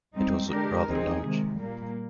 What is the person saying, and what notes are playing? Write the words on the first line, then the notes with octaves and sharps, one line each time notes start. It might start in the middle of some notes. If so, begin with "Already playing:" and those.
It was rather large.
G#2 G3 C4 D#4
D3 G#3 D4 G4 A#4
F3 C4 D#4 G#4
C3 D#3 G#3
A#2 G3 A#3